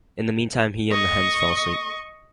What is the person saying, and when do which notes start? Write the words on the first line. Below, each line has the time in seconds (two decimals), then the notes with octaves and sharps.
In the meantime, he and the hens fell asleep.
0.91 D#5 C#6